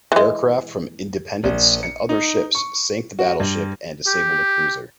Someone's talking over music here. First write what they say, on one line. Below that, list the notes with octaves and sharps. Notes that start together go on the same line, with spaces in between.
Aircraft from "Independence" and other ships sank the battleship and disabled a cruiser.
E3 G#3
A#1
C#7
D#4
C#6
F#4
G2
G4